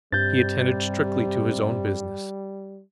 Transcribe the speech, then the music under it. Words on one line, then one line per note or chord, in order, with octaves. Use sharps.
He attended strictly to his own business.
G2 C3 G3 G6 A6